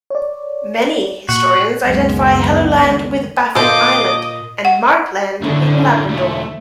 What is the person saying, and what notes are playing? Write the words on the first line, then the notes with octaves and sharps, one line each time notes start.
Many historians identify Helluland with Baffin Island and Markland with Labrador.
C#5 D5
A#2 F#4
F#1 C#2 F#2 D#3 G#3 B3
A#2 A4 C5 D#5 D6
F#5
F#2 A2 D3
B1 E2 A3